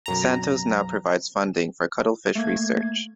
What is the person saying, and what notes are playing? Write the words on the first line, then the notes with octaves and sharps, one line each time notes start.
Santos now provides funding for cuttlefish research.
B1 F#2 A#5
A3 A#3 G#6